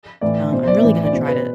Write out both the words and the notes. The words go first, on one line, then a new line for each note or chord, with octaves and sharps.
Um, I'm really gonna try to
A2 E3 D5
B2 C5
C5
D5
E5
A2 E3 D5
D5
B2 C5
B4